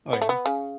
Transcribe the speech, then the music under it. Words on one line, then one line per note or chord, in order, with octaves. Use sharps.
Oh, yeah?
B3
A3
B3
C#3